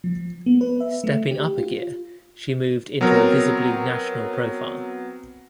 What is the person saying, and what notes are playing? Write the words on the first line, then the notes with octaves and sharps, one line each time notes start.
Stepping up a gear she moved into a visibly national profile.
F3
B3
B4
E5
A3
G4
F4
F#3 B3 C4 A#4 C#5